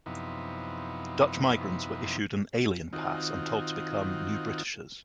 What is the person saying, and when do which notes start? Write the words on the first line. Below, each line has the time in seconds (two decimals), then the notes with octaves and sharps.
Dutch migrants were issued an ‘Alien Pass’ and told to become ‘New Britishers’.
0.06 F#2 C3 F3 B3 D#4 E4
2.93 D#3 C4 D#4 F4 F#4